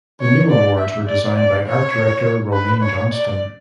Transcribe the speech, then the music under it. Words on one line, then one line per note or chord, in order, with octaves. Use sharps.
The new awards were designed by art director Romain Johnston.
C#5
D5
E5
D5
D5
C#5
B4
C#5
D5